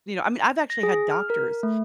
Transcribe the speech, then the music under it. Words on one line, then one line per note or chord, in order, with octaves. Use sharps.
you know, I mean, I've actually had doctors
A#6
G#4
F6
A#4
A3